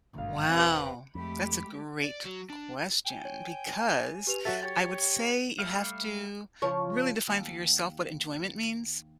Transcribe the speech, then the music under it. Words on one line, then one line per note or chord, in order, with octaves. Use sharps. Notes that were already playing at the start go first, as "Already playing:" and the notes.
Wow! That's a great question because I would say you have to really define for yourself what enjoyment means.
G#1 D2 G2 B2 F5
E1 C4 G4 B4
F2 G#3 A3 G4 B5
D5
F#3
D4
G5 G#5
C#5
G4 B4 F7
F#3 F#4 A4 E5 F#5 A6
G4 C#5 A6
G3 A3 G4 E5 F5
C#3 F3 C#5
D#2